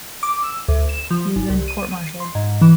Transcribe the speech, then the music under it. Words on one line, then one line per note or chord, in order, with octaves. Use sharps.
He is then court-martialed.
D6
E6
D2
E7
F3
G#1
C2
D#7
C6
G#2
E3